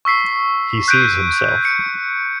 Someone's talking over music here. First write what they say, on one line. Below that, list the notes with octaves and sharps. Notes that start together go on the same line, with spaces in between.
He sees himself.
C#6 E6 B6 C7
F#6 G6 B6 D7 D#7
C#7